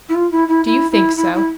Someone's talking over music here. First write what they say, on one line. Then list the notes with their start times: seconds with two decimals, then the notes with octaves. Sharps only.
"Do you think so?"
0.08 E4
0.14 F4
0.31 E4
0.48 E4
0.65 E4
0.91 E4
1.16 E4
1.34 E4